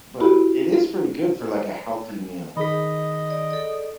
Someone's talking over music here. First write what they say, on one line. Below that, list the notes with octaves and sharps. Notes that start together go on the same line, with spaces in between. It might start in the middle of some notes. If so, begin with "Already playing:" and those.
but it is pretty good for like a healthy meal.
E4 F#4 G4 B5
D#3 G#4 D#5 B5 B6
D5
A4 D5